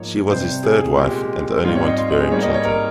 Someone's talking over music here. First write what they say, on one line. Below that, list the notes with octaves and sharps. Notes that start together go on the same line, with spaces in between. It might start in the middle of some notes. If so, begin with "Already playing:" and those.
She was his third wife and the only one to bear him children.
Already playing: G#2 F3 A#3 C#5
C3 G3 C4 C5
G#4
A#2 G#3 C4 G4
G#2 G3 C4 F4
C#5
D#5
C6
D#5
G#4
G#2 G3 A#3 C#5
D#5
C#5
A#4